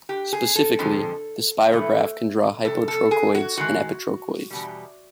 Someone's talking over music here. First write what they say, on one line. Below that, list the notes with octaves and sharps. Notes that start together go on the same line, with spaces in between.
Specifically, the Spirograph can draw hypotrochoids and epitrochoids.
G4
G#4
A4
F2 D3 F3 G#3
A2 E3 A3
F2 C3 A4
A4
G#4
F#4
G#2 D#3 G#3 F#4
E2 B2 G3